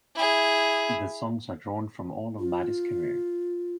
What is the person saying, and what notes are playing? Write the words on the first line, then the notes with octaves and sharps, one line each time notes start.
The songs are drawn from all of Maddy's career.
E4 G#4
F4